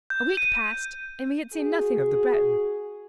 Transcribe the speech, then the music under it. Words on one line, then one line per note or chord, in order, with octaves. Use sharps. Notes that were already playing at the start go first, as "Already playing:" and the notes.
A week passed, and we had seen nothing of the Breton.
G6
D#7
F#4 G#4